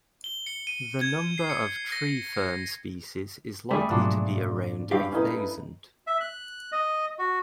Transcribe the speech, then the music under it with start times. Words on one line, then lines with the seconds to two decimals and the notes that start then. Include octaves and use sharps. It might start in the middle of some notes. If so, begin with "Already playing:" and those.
The number of tree fern species is likely to be around a thousand.
0.24 G7
0.47 C#7
0.67 D#7
1.01 G#6
1.38 C7
1.50 C#7
1.92 A#6
2.34 C#7
3.71 G3 A3 G#4 D5 C#6
3.90 G#2 B2 F3 F#3 A#3 D4
4.91 G2 G4 F5
5.12 C#4 D#4 E4 A4 B4
6.07 E5
6.21 F#6
6.72 D#5
7.19 F#4